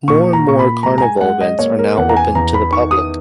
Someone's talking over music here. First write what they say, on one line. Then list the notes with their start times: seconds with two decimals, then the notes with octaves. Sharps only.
More and more Carnival events are now open to the public.
0.08 A#2 C#6
0.33 A#5
0.47 A#2 C#6
0.59 B5
0.83 G#3 A#5
0.98 A#5
1.02 G#5
1.21 G#3 F#5
1.41 D#5
1.59 A#3 C#5
1.79 A#4
1.98 E2 F#5
2.09 A#5
2.17 G#5
2.35 E2 A#5
2.54 B5
2.73 D#3 C#6
2.91 D#6